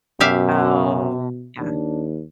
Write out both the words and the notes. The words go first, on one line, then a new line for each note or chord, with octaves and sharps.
Oh, yeah.
F#2 B2 G4 E5 F5
D#2 D4